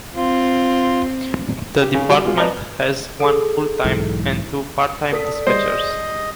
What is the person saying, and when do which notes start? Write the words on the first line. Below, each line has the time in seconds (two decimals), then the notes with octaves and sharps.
The department has one full-time and two part-time dispatchers.
0.15 C4 F4
1.82 G4
1.94 C#3
2.09 G3 F#4
2.25 B2 G#3 F4
2.37 B4 D5 D#5 A5 A#5
3.20 G#4 A4
3.84 B1 G#2 E3
5.12 A4 D5 D#6 B6
5.47 G3 G#3 C5 D#5